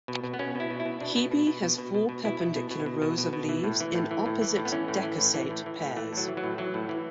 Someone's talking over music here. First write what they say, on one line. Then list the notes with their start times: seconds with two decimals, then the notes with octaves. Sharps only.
"Hebe" has four perpendicular rows of leaves in opposite decussate pairs.
0.08 B2
0.24 B2
0.34 B3
0.39 B2 C#4
0.55 B2 E4
0.71 B2
0.80 E4
0.86 B2
1.01 B2 D4
1.16 B2
1.31 B2
1.47 B2
1.63 B2
1.78 B2
1.95 B2
2.09 B2
2.25 B2 E4
2.41 B2
2.56 B2
2.71 B2
2.86 B2
3.02 B2
3.18 B2
3.33 B2
3.49 E3
3.64 A2
3.80 E3
3.95 A2
4.11 E3
4.26 A2
4.41 E3
4.57 A2
4.65 B3
4.72 E3 C#4
4.88 A2
5.03 E3
5.18 A2
5.34 E3
5.50 A2
5.66 E3
5.81 A2
5.96 E3 A3
6.13 A2 F#3
6.28 E3
6.37 F#3
6.44 A2
6.58 E3 F#3
6.74 A2
6.89 E3